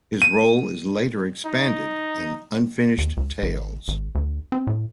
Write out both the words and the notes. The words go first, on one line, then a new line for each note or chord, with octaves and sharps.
His role is later expanded in "Unfinished Tales".
D#7
D#4
D#2
C#2
G#1
G#1
D2
C4
A2